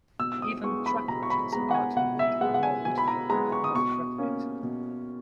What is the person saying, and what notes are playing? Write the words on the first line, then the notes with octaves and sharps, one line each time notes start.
Even track legends Arthur Wint and Mal Whitfield could not threaten it.
B2 E6
E6
D#6
G#3 B3 C#6
B5
B2 A#5
C#6
B5
G#3 B3 A#5
F#5
G#5
B2 F#5
E5
G#3 B3 F#5
F#5
G#5
B2 G#5
B5
A#5
G#3 B3 A#5
C#6
D#6
B2 C#6
A#3 C#4
B2